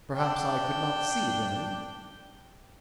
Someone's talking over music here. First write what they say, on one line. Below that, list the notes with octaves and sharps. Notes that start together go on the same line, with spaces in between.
Perhaps I could not see then.
D4 G5